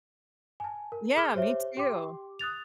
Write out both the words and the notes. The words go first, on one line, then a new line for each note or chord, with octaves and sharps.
Yeah, me too.
G#5 A5
A#4
G#4 D6 F6 G7
G4 C5 C#5 E5
G4 G5 C6 D6
D#6 F#6 A6 F7